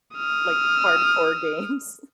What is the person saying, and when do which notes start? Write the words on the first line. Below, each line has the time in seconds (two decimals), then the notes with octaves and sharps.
Like, hardcore games.
0.16 D#6 F6